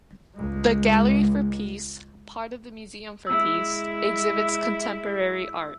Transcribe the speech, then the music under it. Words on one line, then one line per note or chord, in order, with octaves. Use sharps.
The Gallery for Peace, part of the Museum for Peace, exhibits contemporary art.
C#2 G#3
G#3 E4 E6